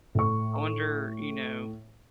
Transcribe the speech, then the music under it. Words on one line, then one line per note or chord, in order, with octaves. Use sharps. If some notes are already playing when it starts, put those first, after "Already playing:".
I wonder, you know
A2 C#6